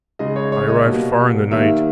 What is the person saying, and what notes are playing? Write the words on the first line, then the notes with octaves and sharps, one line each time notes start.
I arrived far in the night.
C#3 G#3 D#5
C#5
C#5
D#5
B2 G3 A#3
D#3 G3 A#3 E5